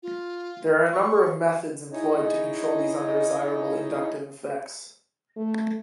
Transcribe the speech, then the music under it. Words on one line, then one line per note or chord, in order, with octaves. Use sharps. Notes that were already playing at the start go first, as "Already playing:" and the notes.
There are a number of methods employed to control these undesirable inductive effects.
F4
C#6
D#4 E4 G#4 C#5 D#5
A3